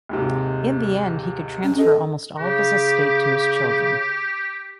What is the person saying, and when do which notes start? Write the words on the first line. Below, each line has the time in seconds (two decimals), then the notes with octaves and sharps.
In the end he could transfer almost all of his estate to his children.
0.09 D#2 G#2 C3
1.64 C#4
1.78 A4 D#5
2.38 C#3 G4